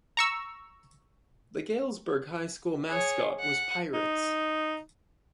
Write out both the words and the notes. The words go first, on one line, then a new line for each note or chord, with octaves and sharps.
The Galesburg High School mascot was Pirates.
A#5 C#6 E6
G#4 C#5
F#5
D#4